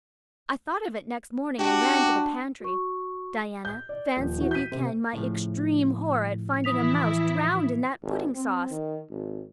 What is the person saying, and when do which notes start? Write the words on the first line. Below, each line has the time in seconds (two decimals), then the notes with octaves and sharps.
I thought of it next morning and ran to the pantry. Diana, fancy if you can my extreme horror at finding a mouse drowned in that pudding sauce!
1.59 D4 F#4 G4
2.60 F#4 C#6
3.65 G6
3.89 D5
4.17 D#1 F3
4.38 E3 F#4
4.51 G6 B6 D#7
4.72 C3 C5
5.13 A2 C#3 F3
6.64 E3 E4 D#6 B6 F7
8.02 G#1
8.34 C4
8.71 D#3
9.10 G#1